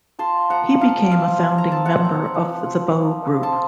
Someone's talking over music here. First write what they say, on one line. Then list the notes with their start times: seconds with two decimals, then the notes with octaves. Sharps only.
He became a founding member of the Bow Group.
0.19 F4 A5 C6
0.50 F3 F#5 A#5
0.81 F4 F5 A5
1.11 C4 F5 A5
1.42 C4
1.58 A#5
1.72 C4 A5
1.85 F#5 A#5
2.05 C4
2.34 F3
2.66 F3
2.97 F3
3.28 C4
3.43 A5 C6